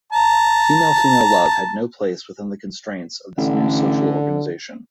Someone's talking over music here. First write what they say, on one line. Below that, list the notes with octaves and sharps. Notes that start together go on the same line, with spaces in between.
Female-female love had no place within the constraints of this new social organization.
A5 A#5
A1 D3